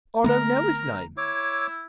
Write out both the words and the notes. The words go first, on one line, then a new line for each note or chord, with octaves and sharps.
"I don't know his name."
D3 A3 B3 A#4 A#5
E4 C#5 D6 E6